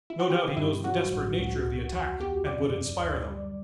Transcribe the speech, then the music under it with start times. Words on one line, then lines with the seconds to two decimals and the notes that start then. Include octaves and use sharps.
No doubt he knows the desperate nature of the attack, and would inspire them.
0.10 E4
0.19 F#4
0.30 E3 G4
0.57 G2 E4
0.84 F#3 F#4
1.11 A1
1.39 C#2
1.66 C#2
1.93 E2 F#4
2.20 E2 G4
2.46 F#2 D5
2.74 F#2
3.01 D2
3.28 G3